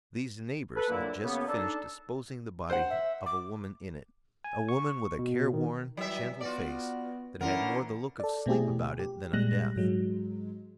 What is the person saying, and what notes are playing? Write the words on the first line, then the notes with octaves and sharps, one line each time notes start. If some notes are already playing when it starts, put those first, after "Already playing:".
These neighbors had just finished disposing the body of a woman in it--a woman with a careworn, gentle face that had more the look of sleep about it than of death.
A4 B4
A#2 D3 F#3 A#3 E4
F#2 C#3 A#3 B3
D4 D#4 A4
C5 F#5
E5
D6
G#5
C#6
B2
D#3
E3 F#3 G3 E5
B3 F4 F#4 D5
D3 E3 C#4 E4 A#4 F#5
A4 D5
B2 A3 C4 E4 G4 G#4
G4
A#2 G3 G#3 F#6 A#6
G#2 F#3 G#3